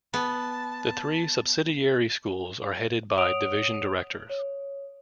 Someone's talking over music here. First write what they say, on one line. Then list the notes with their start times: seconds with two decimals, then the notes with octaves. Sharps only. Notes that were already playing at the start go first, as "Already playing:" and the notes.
The three subsidiary schools are headed by Division Directors.
0.14 B3 A5
3.17 C#5 F#5 D#6 D7 F7
4.30 C#5